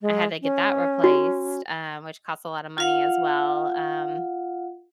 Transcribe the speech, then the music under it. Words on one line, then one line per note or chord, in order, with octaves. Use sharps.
I had to get that replaced, um, which costs a lot of money as well. Um,
G#3
C#4
F#4
F4 F5 F#5